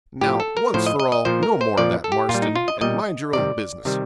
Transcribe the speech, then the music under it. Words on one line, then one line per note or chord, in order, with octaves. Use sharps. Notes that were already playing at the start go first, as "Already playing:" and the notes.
Now, once for all, no more of that, Marston, and mind your own business.
A2 F3 G4
A4
A#4
A2 F3 C5
D#5
D#5
D#5
A#2 F3 C5
A#4
C5
A#2 F3 D5
A4
G4
A#2 F4
G3
D#4
F4
D#5
A#2 G3 D#5
C3 D#3 G3 D5
C3 D#3 G3